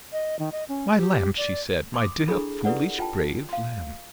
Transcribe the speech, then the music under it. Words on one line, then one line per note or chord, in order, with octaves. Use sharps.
"My lamb!" she said; "my dear, foolish, brave lamb!"
D#5
D#3
D#5
C#4
G4
D5
C6 D6 D#6
D4 E4 G#4 A4 B5
E4 G4 A4 B4 D5 F#5
F4 G5 A5
F5 C6